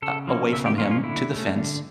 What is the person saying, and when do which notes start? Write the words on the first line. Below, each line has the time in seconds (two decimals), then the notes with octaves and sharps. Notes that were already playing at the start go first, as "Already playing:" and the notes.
a away from him to the fence,
0.02 C#3 A4
0.27 F3 A#3 C#4
0.52 C#3 E5
0.66 G4
0.78 F3 A#3 C#4 F4
0.91 F4
1.04 D3 E4
1.29 A3 C#4
1.55 D3